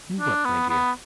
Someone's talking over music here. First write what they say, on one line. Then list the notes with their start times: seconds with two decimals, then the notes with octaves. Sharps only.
"Knew what, my dear?"
0.20 D4
0.45 B3
0.70 B3